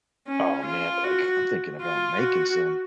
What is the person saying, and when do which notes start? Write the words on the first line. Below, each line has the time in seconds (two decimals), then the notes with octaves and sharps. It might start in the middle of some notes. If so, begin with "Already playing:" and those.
Oh, man, like, I'm thinking about making some.
0.28 C#4
0.66 F4
1.04 F#4
1.81 F4
2.19 F#4